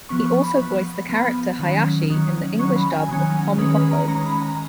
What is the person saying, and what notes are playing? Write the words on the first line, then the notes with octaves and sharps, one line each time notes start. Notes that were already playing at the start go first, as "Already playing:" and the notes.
He also voiced the character Hayashi in the English dub of "Pom Poko".
F3 B3 C#6
C#6
B5
F3 B3
F3 B3 B5
D#3 F#3 C#4
D#3 F#3 C#4
D#3 F#3 C#4 C#6
B5
G#5
D#3 F#3 C#4 G#5
D#3 G#3 C#4 B4
B4
A#5
D#3 G#3 C#4 A#5
B5
A#5